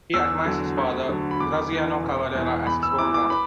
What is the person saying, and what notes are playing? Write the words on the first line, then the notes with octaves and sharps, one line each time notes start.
He admires his father Graziano Cavalera as his role model.
E2 E6
D3 F#3
D2
D3 F#3
B5
E2 D6
E3
E1
E2 E3
E2 B5
E6
E3 D6
D6
B5